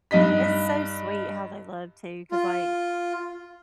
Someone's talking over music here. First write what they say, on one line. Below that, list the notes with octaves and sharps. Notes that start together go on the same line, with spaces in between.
It's so sweet how they love too, 'cause, like,
G2 D#4 D#5 B6
F4